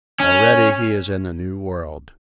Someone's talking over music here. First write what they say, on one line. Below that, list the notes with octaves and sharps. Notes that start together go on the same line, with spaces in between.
Already he is in a new world.
C#4